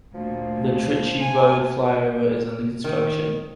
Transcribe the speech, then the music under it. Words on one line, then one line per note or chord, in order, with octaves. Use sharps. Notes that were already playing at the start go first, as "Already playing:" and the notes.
The Trichy Road Flyover is under construction.
D2 A#2 F3
G#5
D#3